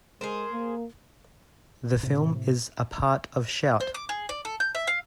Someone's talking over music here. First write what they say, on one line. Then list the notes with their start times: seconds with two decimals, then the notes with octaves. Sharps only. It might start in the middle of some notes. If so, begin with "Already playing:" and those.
The film is a part of Shout!
0.21 G#3 G#4 A#4 C5
0.51 A#3
2.03 A2 C3
3.80 C5
3.94 D6
4.09 G#4
4.29 D5
4.45 A4
4.60 G6
4.75 E5
4.87 F5